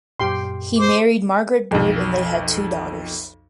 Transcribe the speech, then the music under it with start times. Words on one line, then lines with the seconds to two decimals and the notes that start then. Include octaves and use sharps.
He married Margaret Bird and they had two daughters.
0.20 F#2 A#2 G4 G5 C6
0.78 C5 D6
1.71 B1 F2